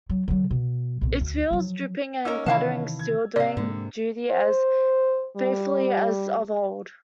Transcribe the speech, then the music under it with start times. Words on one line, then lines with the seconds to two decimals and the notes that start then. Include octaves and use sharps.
Its wheel is dripping and clattering still, doing duty as faithfully as of old.
0.10 F#3
0.28 D3 F#3
0.51 B2
1.01 B1 A#2
1.21 D2
1.51 F3 F#3
2.25 A#3 C#4 D#4 A#4 E6
2.46 C3 D#3 E3 E4 F5 A5
2.99 G#6
3.36 C3 D5 D#5 F5
3.57 G#2 D3 G#3 A#3
4.31 C5
5.37 G3